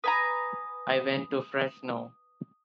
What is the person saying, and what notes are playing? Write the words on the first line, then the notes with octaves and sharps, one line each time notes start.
I went to Fresno.
B4 G#5 A#5 D#6